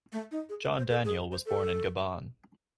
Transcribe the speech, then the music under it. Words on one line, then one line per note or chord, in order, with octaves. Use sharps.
John Daniel was born in Gabon.
A3
D#4
G#4
A4
C5
A4
G#4
C5
A4